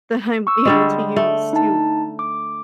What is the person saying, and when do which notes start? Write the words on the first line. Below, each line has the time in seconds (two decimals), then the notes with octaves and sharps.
that I'm able to use to
0.47 C#6 E6
0.65 D3 G3 G#3 G#4
1.16 A3
1.53 D#4 A5
2.19 D6